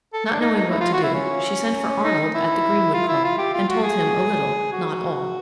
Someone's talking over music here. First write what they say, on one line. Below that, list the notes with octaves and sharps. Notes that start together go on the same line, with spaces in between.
Not knowing what to do, she sent for Arnold at the Greenwood Club, and told him a little, not all.
A4
A4
D4
D#4
D#4
E4
F4
F#4
E4
C#4
D#4
E4
F4
E4
F4
G4
F4
F#4
G#4
F#4